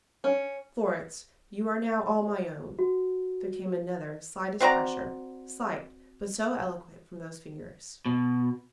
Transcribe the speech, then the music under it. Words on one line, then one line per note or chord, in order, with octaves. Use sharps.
"Florence, you are now all my own." There came another slightest pressure, slight, but so eloquent from those fingers.
C#4
F#4
C4 F#4 D5 A#5
B2